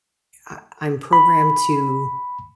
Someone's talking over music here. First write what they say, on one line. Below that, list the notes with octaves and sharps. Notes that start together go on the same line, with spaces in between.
I I'm programmed to
B5